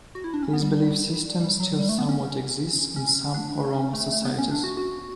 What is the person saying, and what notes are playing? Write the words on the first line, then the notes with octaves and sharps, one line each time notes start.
This belief system still somewhat exists in some Oromo societies.
F#4
E4
D4
C#4
B3
G3
G3
F#3
G3
A3
B3
C#4
C#4
D4
C#4
A3
A3
B3
C#4
D4
F#4
F#4